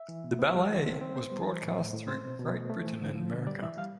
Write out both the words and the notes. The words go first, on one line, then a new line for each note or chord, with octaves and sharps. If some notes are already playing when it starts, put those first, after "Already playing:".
The ballet was broadcast throughout Great Britain and America.
Already playing: E5
E3
B2
B3
G3
E3
C4
C4
B3 C5
G3
E3
A2
A2
A2
C4 C5
B2
B2
A3
A3
E3
D3
F3
D3
G3 D5
E3 E5
G3 F5